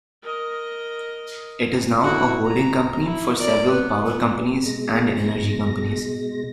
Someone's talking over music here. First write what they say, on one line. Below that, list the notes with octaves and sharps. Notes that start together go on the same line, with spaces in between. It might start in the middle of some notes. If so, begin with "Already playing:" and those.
It is now a holding company for several power companies and energy companies.
A#4 D#5
E4 F#4
A#5
E4
A#4 D5
B3 B4
B3
B2 G#3 A#6